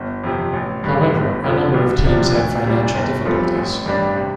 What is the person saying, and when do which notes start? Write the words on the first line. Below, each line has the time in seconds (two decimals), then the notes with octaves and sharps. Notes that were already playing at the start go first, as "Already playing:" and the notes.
However, a number of teams had financial difficulties.
Already playing: G1
0.24 F2 C3
0.53 A1
0.84 G2 D3
1.14 G1
1.44 F2 D3 F3
1.74 C2
2.04 C3 F3 D4
2.35 D2
2.65 C3 G3 D4
2.95 G1
3.25 G2 F3 C4 A4
3.55 A1
3.86 G2 G3 D4
4.16 C3